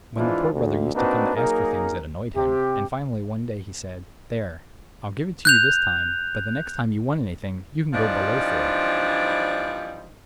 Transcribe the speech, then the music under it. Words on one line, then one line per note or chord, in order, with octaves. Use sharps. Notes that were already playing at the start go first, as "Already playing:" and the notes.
When the Poor Brother used to come to ask for things it annoyed him, and finally one day he said, "There, I'll give it to you this time, but the next time you want anything, you can go Below for it!"
G#2 E3 F3 D4 E4 F4
D2
A#3 C4 D4 D#4 F#4 B4
F#3 A#3 D#4 G#4 A#4
C3 G4
F#6 G6 F7
E3 F3 G3 C4 D4 D#4